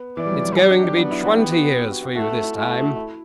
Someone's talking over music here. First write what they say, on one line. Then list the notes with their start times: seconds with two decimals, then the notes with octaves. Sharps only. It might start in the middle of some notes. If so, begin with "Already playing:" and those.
It's going to be twenty years for you this time.
Already playing: B3
0.17 E3 D5
0.26 G3
0.31 F#3
0.44 F#3
0.52 G3
0.57 F#3 G4
0.71 D4
0.83 D4
0.97 B3 D4
1.11 E4
1.24 F#4
1.37 B3 G4
1.51 F#4
1.63 F#4
1.90 F#4
2.03 F#4
2.16 A3 F#4
2.30 F#4
2.43 E4
2.56 A3 F#4
2.84 F#4
2.96 E4